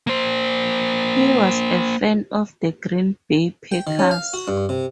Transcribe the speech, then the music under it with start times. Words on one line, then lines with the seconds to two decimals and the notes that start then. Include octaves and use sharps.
He was a fan of the Green Bay Packers.
0.07 A#3 C5
3.72 G5
3.87 D#3
3.99 C#4
4.11 F5
4.33 F#4
4.48 G2
4.69 C3